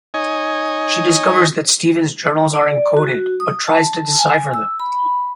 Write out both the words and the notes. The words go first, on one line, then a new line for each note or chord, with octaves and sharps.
She discovers that Stephen's journals are encoded, but tries to decipher them.
D#4 C#5 D#5 G#5
D5
F#4
D#6
A5
G#5
E6
B5